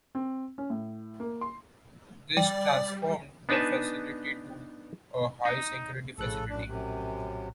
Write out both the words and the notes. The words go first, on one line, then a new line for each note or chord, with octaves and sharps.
This transformed the facility to a high-security facility.
C4
C#4
A2
A#3
C6
G3 D5 G5
B3 D4 D#4 B4 G#5 A5
D#4
A#1 A2 C#3 A4 F#6
F#2 D4
F#2 C3